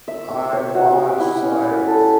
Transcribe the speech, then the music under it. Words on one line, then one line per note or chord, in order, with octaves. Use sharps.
I watched like,
E5
E5
C#5
F#4
G4
E4
C#4
B4
A4